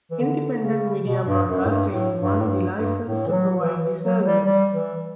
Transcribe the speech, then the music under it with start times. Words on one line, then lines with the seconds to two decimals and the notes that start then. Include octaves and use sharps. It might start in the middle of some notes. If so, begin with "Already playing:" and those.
Independent Media Broadcasting won the licence to provide the service.
0.11 E3
0.20 D3
0.63 C#3
1.06 B2
1.27 G2
1.49 F#2
1.65 A2
1.70 G2
1.91 A2
2.19 G2
2.41 A2
2.48 G2
2.76 G2
3.04 A2
3.27 E3
3.32 F#3
3.61 E3
3.82 E3
4.03 F#3
4.25 G3
4.46 G3
4.74 E3